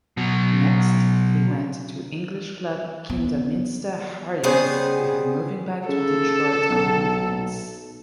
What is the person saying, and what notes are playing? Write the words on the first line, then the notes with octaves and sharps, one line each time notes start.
Next he went to English club Kidderminster Harriers before moving back to Detroit Corinthians.
B2 F#3
B3
C#3 G3 B3 G#4 C5
C#3 A4
B1